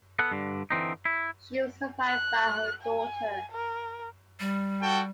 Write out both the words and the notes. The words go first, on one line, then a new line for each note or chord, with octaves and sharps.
She was survived by her daughter.
B3 A4 F#5
G2 D3
D3 E3 C4 D#4
E4
F#6
G#5
A#4
G3
F#4 A4 G5